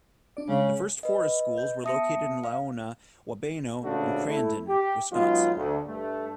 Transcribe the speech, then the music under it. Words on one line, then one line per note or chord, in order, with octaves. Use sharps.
The first forest schools were located in Laona, Wabeno and Crandon, Wisconsin.
D4 D5
C#3 G#3 C#5
B4 D#5
G6
B3 E5 A5 D#6 A#6 C#7
F5
A1 G#2 C#3 A3 D4 F#4
A3 E4
G4
F#3 G#3 B3 D#4 F4
D2
G2 A3